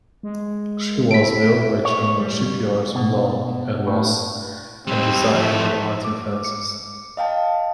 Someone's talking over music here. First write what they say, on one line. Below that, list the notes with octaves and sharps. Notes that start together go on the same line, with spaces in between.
She was built by German shipyards Blohm and Voss and designed by Martin Francis.
G#3
E4 B6 D7
C#5
G3
B2
A2
G3 C4 D#4
F3 A3 E4
D6
C#7
D#5 F5 G5 A5